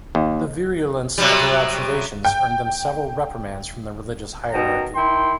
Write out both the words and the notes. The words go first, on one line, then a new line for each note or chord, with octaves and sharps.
The virulence of their observations earned them several reprimands from the religious hierarchy.
D#2
C3 F#3 G3
G5
F#2 B2 D#4 G5 A#5
D#3 E4 G5 C6